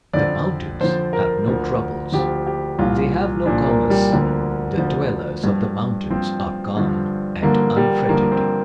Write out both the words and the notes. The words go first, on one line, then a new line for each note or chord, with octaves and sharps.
The mountains have no troubles; they have no commerce. The dwellers of the mountains are calm and unfretted.
F2 D3 F3 D5
F2 D3 F3 C5
A#4
D2 D3 F3
D2 D3 F3 G4
G4
C2 A#2 F3 F4
C2 A#2 F3 D4
A#3
G3
D2 D3 F3 A#3
D2 D3 F3
G2 F3
G2 F3 C4
G2 D3 F3
G2 D3 F3 A#3
G3
G2 D3 F3 A#3
C4